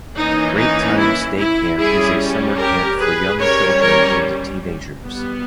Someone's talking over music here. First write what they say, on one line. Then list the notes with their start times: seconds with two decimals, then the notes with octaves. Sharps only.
Great Times Day Camp is a summer camp for young children and teenagers.
0.16 E3 A#3 C#4 D#4
0.57 D#4
0.98 E4
1.38 E4
1.79 G3 C#4 E4 G#4
2.59 G4 A#4
3.00 G#4 B4
3.40 G3 C#4 A#4 C#5
3.81 A#4 C#5
5.03 G3 B3